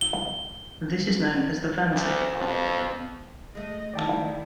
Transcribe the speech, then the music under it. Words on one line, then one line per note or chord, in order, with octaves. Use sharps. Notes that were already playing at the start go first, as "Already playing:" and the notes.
This is known as the Wanzlick equilibrium.
G7
D2
F2
G#3 A3 D#5
D#3 E4 D5 G5 A5